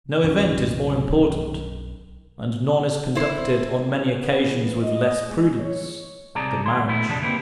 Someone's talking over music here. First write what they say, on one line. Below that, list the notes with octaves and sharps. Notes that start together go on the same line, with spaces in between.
No event is more important, and none is conducted, on many occasions, with less prudence, than Marriage.
B1 F#2 C#4
E4 C5
B3
E3
D#5
G#3
C#5
C2 C3 G#4 D5 A5 A#5
D#2 E4 C6
A#2 D3 A3 B3 E4
C2 F2 G3 D4 G#4 A5
D3 A#3 C4 E4 G4 B4